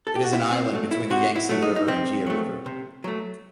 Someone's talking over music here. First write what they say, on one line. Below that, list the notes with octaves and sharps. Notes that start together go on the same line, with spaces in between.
It is an island between the Yangtze River and Jia River.
A4
G4
F#4
C3 E4
C4
F#3 A3
E4
C3 F#4
E4
F#3 A3
D#4
D#4
C3 C4
F#3 A3
C3
F#3 A3